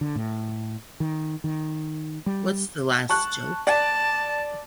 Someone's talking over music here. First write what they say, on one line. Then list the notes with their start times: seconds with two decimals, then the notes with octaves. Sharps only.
What's the last joke?
0.01 D3
0.16 A2
1.00 D#3
1.44 D#3
2.26 G3
3.09 A5 C#6 F#6
3.67 D5 A5